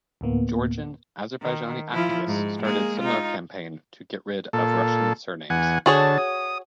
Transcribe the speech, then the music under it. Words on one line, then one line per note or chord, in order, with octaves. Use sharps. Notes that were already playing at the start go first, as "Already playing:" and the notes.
Georgian Azerbaijani activists started similar campaign to get rid of russian surnames.
D2 A2 A#3 B3
D#3
F3 E4 F4
G#2
G#3 A#3 G#4
D#4 F4
A#2 A4
E2 F#5 G#5
D3 F#4 G#4 C#5 A5
D#6